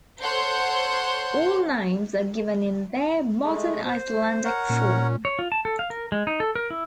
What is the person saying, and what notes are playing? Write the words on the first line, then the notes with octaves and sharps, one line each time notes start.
All names are given in their Modern Icelandic form.
A4 C5 C#5 F#5 C6 G6
G#3 A3
C5
A#4 C#5 F#5
A#2 C#4
C#5
F4
A5
A4
F5
A#4
G#3
D#4
A4
A#4
E4